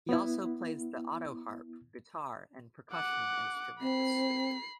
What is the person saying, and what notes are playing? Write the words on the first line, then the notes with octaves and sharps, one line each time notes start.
He also plays the autoharp, guitar, and percussion instruments.
B3 E4
F#5 D6
C4 B5 C7